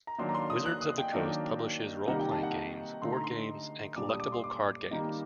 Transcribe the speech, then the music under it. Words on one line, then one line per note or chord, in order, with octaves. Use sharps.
Wizards of the Coast publishes role-playing games, board games, and collectible card games.
A#5
D#3 F#3 A#3 D4 C6
A#5
C6
D#6
F#6
D#6
G5
D#3 F#3 A#3 D4
C3 D#3 G3 A#3 D#4 F#5
G5
A5
F#5
D3 A3 D#4 C6
A#5
C6
A#2 G3 D4 D6
D#6
D6
C6
D6
D#3 G3 A#3 D#4